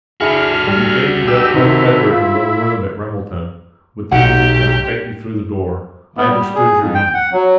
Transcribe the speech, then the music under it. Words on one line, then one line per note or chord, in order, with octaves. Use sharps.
When you gave me that fourth feather in the little room at Ramelton, with the music coming faintly through the door, I understood your meaning.
E4 F#4 G#4 A4 F6
G3
G4 E6
C3 D#3 E4
F4
B1 D#4 G4 F#5 G5
B3
G3
G#4
F2
G5
F#5
F#3